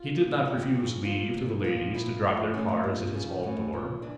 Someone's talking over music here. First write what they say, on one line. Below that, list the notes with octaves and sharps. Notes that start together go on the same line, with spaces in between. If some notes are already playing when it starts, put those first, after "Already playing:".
He did not refuse leave to the ladies to drop their cards at his hall-door.
Already playing: F4
A#2 F3
A#2 F3 G4
C#3 F3
A#2 F3 F4
A#2 F3
A#2 F3 F4
A#2 F3 E4
A2 F3
A2 E3 C#4
A#3
A#2 F3
C#3 F3
A2 E3 C#4
A#2 F3
E3 D4